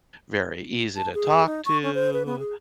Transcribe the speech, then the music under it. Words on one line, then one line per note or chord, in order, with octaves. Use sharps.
very easy to talk to,
A5
G#4
D#4
C#6
C#4
C5
B4
B3
G#4